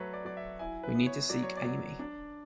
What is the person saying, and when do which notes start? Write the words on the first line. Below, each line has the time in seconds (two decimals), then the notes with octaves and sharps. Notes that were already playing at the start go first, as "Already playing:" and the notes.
We need to seek Amy.
Already playing: F#3 A3 B4 C#5
0.13 D5
0.25 F#3 D5
0.37 E5
0.59 E4 G#5
0.83 B4
0.95 B3
1.06 C#5
1.29 F#3 D5
1.43 C#5
1.57 D5
1.65 F#3
1.99 D4